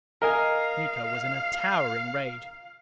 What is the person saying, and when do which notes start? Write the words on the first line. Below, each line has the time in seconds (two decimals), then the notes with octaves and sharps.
Miko was in a towering rage.
0.22 A#4 D#5 F5 G#5